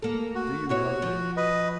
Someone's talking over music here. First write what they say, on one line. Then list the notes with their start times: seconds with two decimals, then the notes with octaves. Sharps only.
"Do you know me?"
0.02 A#3 A4
0.35 F#4
0.69 B2 E4 F#4 C#5
1.02 F3
1.37 B4 D#5